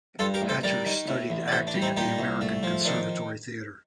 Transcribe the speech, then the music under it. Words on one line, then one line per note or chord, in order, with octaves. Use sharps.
Hatcher studied acting at the American Conservatory Theater.
G2 F4 A4
G4 A#4
A1
A4 C5
G3 A#4 D5
D#3
A2
A1
D5
A1 A4 C5
D4
G3
C4 D#4
A#2 D#4 G4
C2
A3
F3
D#3 D4